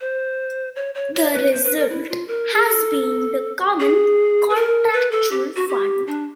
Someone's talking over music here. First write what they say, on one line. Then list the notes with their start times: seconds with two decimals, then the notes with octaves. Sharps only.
The result has been the common contractual fund.
0.01 C5
0.76 C#5
0.95 C#5
1.15 C#5
1.33 B4
1.52 C5
1.64 B4
1.77 A#4
1.90 E4
2.09 F4
2.28 A#4
2.54 G#4
2.65 A4
3.80 G#4
4.50 B4
4.55 A#4
4.94 B4
5.11 A4
5.31 G4
5.56 F#4
5.69 G4
6.07 D4